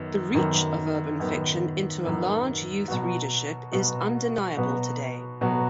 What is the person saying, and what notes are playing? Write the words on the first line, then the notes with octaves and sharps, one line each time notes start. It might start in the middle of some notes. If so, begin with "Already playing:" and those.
The reach of urban fiction into a large youth readership is undeniable today.
Already playing: F#2 D#3 B3
F#2 D#3 B3
F#2 D#3 B3
F#2 D#3 B3
B2 F#3 B3 F#4
B2 F#3 B3 F#4
B2 F#3 B3 F#4
B2 F#3 B3 F#4